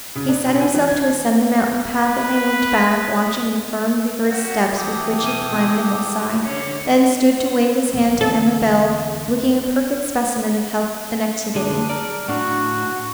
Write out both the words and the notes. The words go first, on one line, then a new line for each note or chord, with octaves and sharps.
He set himself to ascend the mountain path, and they looked back, watching the firm vigorous steps with which he climbed the hill side, then stood to wave his hand to Amabel looking a perfect specimen of health and activity.
C#3
D4
B1
G#5
E3
G#6
B4
F#3 F#4 G4 F#5
E3 A4 G5 D6 D#6
B2 G#5
G4
D3 C#4
A#1 A3
E2 D3 C4 A4
D3 D4 G#4
A#4 D5
A2 D4 F#4